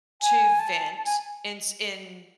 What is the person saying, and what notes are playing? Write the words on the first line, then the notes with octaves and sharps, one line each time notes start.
to vent in s in
G#5
A5
A5
G#5